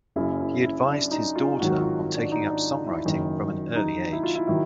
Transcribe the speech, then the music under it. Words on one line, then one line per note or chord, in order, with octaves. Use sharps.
He advised his daughter on taking up songwriting from an early age.
F#1 F#2 C#3 E4
E4
E4
D4
D#4
F4
G#1 G#2 D#3 F#3 F#4
F4
D4
D#4
D4
E4
F#1 F#2 D#3 F#3
D#4
E4
F4
E4
D#3 F#3 E4